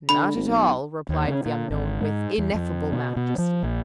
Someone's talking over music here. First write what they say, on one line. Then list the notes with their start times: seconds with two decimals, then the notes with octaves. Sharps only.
"Not at all!" replied the unknown, with ineffable majesty.
0.09 D3 B5
0.35 G#1
0.48 B1
1.09 D#2
1.28 C#3
1.46 A#2
1.70 G#1
2.01 G#2
2.38 E2
2.54 F2
2.92 B2
3.16 B2
3.38 F3
3.63 A#1